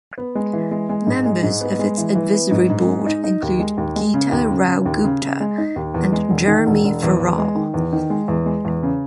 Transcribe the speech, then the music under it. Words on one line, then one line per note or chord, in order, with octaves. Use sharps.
Members of its advisory board include Geeta Rao Gupta and Jeremy Farrar.
B3
G#3
E3
G#3
G#3
G#2
G#3
G#2
B3
G#3
E3
E3
B3
G#2
G#2
G#3
D#4
D#4
D#2
G#3
D#2
G#3
C#3
D#2
C#3
C#3
D#2
C#3
C#3
G#3
D#4
D#2
E2
G#3
E1
D#3
E1
E1
E2
E2
G#3
D#3
E2
D#3
G#3
E2
G#3
E2
C#3